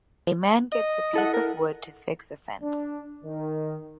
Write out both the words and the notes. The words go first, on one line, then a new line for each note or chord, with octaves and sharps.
A man gets a piece of wood to fix a fence.
D#5
E4 A4 F#5
A#4
D4
D#3